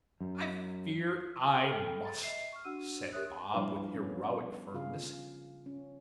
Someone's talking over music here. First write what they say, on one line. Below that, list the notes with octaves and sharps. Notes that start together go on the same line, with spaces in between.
'I fear I must,' said Bob, with heroic firmness.
F#2
G#4 A4 G5 B5 F6
A6
D#5 E5 C7
C#6 F6
D4 F#4 F#5 E6 D#7
G4 A#4 C#5 E5 D#6 F#6
F3 G3 D4 E4 B4 F5
B3 C#4
C#3 F4 G#4 F5
C#4